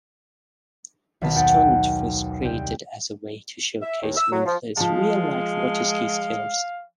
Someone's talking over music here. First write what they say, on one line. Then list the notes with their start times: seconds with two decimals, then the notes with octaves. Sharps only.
The stunt was created as a way to showcase Winkler's real-life water ski skills.
1.21 B1 D#3 B3 A5 B6
1.36 D#2 F#5 G5 A6
2.42 C2 G5
3.82 E5
4.02 D#2
4.17 E6
4.31 F#3
4.45 F3
4.77 F3 G#3 F5 A5